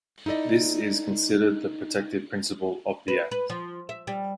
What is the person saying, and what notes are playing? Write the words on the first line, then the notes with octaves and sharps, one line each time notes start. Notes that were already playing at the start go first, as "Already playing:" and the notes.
This is considered the protective principle of the act.
D#4 E4 A4 D5 D#5
B4
B4
F3
E5
G3